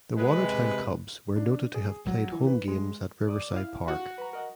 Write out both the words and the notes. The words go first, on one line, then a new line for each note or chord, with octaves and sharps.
The Watertown Cubs were noted to have played home games at Riverside Park.
C3 G#3 B4
D4
G#4
F#3
E3
B4
G#3
D5 D6 D#6
E4 F5
F#4
B4 A#5
A#4 D#5 F#5